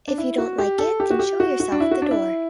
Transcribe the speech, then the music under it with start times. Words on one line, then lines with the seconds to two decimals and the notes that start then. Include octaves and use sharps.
If you don't like it, then show yourself the door.
0.08 D4
0.18 E4
0.38 F#4
0.58 G4
0.79 A4
1.00 G4
1.10 F#4
1.19 G4
1.40 F#4
1.60 F#4
1.72 D4
1.80 E4
1.91 F#4
2.02 D4
2.11 E4